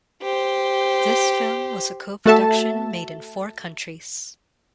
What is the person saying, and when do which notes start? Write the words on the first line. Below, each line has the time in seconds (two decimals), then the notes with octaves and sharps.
This film was a co-production made in four countries.
0.22 G4 C5
2.26 A3 F#4 A4 E5 A5